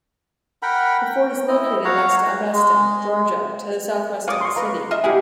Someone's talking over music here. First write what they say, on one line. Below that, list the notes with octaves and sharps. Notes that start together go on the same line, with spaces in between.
The fort is located next to Augusta, Georgia to the southwest of the city.
A#4 F#5 G5 B5
G5
E4 D#5
C#5 F5 F#5 A#5
G#3
F4 C#5 D5 F5 D6 D#6
C6 C#6
B4 F5 A#5
F4 D#5 E5
G#3 E4 G4 G#4 F#5